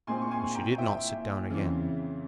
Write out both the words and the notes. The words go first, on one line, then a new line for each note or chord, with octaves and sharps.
But she did not sit down again.
A#2 G#3 C4 G#5 C6
C#6
G#5 C6
G5 A#5
E5 G5
F2 C#3 E3